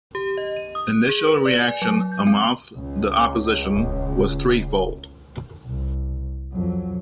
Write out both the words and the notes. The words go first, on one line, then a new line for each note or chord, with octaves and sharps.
Initial reaction amongst the opposition was three-fold.
G4
D#5
D#7
D#6
F#6
G#4
B4
D5
G#5
F#3
G6
C4
C#2
D#1
C2
F2 F#3